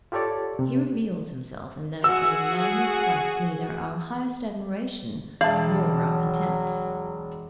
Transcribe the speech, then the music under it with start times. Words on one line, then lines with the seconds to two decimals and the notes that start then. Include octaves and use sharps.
He reveals himself in them as a man who excites neither our highest admiration nor our contempt.
0.12 F4 G4 A4 C#5 D5
0.59 C3
2.04 F#4 G#4 E6
5.41 E1 E3 F5 A5
5.92 F#3